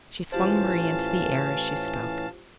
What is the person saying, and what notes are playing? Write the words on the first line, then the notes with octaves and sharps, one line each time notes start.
She swung Marie into the air as she spoke.
A2 E3 C#4 F4 G4 C5 F5 A5